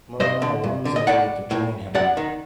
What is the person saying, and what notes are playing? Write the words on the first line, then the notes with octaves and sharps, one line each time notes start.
Merna runs away to join him.
G2 C5 D#5
D3
G2
D3
D#5
A2 D5 F#5
A2
F#2 D5 F#5
D#3